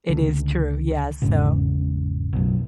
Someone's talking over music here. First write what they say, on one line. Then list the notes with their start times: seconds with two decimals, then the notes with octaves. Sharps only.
It is true. Yes, so
0.09 C#2 D3
1.22 G#1 E2 G#2 C#3
2.33 B1 F#2